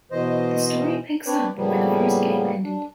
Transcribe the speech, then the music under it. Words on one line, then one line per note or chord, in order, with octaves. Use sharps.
The story picks up where the first game ended.
B2 E3 C5 D#5
C4 D4 B4 C#5 D5
A2 C#3 F3 G3 A#3 B3
D4